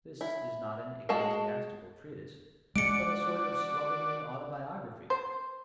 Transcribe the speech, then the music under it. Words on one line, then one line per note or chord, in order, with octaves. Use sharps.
This is not an ecclesiastical treatise but a sort of slovenly autobiography.
E4
G#3 F#4 A5
G#3 D4 F#4 D5 C#7 D7
C5